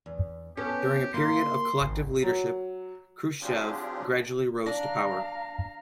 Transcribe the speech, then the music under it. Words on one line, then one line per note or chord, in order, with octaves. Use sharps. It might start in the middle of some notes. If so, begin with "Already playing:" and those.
During a period of collective leadership, Khrushchev gradually rose to power.
E2
B3 C#4 G4 A4
A#3 E4 C6
G#1
F#3
F#3 C4 D4 F4 G4 G#4
D4 F5 A#5 A#6